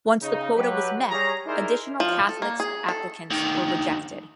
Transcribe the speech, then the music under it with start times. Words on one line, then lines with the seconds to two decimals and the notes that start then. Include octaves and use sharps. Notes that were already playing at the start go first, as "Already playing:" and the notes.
Once the quota was met additional Catholics applicants were rejected.
0.21 C#3 D#4
0.55 F#3 G4 B4
1.10 G3 G#4 C#5 G#5 A#5
1.45 D#4 E4 G#4 A#4 C5 D5
2.00 F3
2.29 A4
2.42 A#3
2.60 G#4
2.88 A4
3.30 D2 D#3